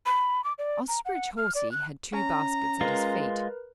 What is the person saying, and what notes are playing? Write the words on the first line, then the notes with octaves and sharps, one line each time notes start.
Osterbridge Hawsey had two baskets at his feet.
B5
D6
D5
A#5
F#5
F6
D5
F#6
C#4 A#5
G#3 F4 A#4 B4